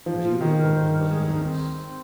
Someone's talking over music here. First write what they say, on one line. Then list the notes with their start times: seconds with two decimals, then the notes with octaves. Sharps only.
But you have opened my eyes.
0.06 F3 D#4
0.16 G#4
0.23 F4
0.40 D#3 G#4
0.58 A#4
0.74 C5
0.91 A#4
1.09 G#4
1.26 D#4
1.44 C4